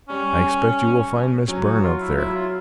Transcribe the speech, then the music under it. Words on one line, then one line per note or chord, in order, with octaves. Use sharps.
I expect you will find Miss Byrne up there.
G3 C#4
F#3 C#4
F#4
F4
E4
F#3 E4
F4